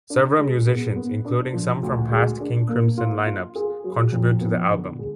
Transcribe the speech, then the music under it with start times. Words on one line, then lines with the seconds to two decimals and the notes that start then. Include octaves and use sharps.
Several musicians, including some from past King Crimson line-ups, contribute to the album.
0.10 D4
0.39 G#3
0.67 B3
0.96 B3
1.25 D4
1.53 F3
1.83 D2
2.11 G#3
2.40 D4
2.69 A#3
2.98 F4
3.26 F4
3.55 G#4
3.84 F#3
4.12 F2
4.41 B3
4.70 D3
4.99 G#3